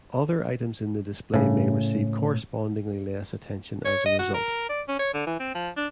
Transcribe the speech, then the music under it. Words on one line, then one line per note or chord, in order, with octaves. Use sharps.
Other items in the display may receive correspondingly less attention as a result.
A2 C#3
C#5
D#5
F#4
A#4
D5
C#4
C#5
D3
E3
C4
F3
D4